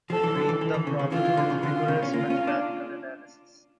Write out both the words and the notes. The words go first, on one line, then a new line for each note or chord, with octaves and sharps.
Treat the problem with rigorous mathematical analysis.
F3 A4
E3
D3
E3
E3
E3
C#3
C#3
E3 F4
E3
D3
C#3
D3 F4
C#3
C#4
A#3 F4
C#4
D4